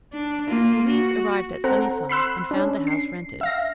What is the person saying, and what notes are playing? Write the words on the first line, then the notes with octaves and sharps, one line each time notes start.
Louise arrived at Sunnyside and found the house rented.
D4
A#3 F4
F#4
C4 A4 C5 F#5 A#5
B5 C6 E6 F#6
C#4 D4
C7
E5 F5 A#6